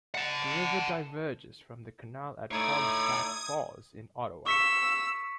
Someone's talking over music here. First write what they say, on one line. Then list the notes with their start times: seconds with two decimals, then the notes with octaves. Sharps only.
The river diverges from the Canal at Hog's Back Falls in Ottawa.
0.15 F#5 A5
2.51 A3 D#4 E4 C#5 D5 D#6 G#6
4.46 C#6 E6 B6 C#7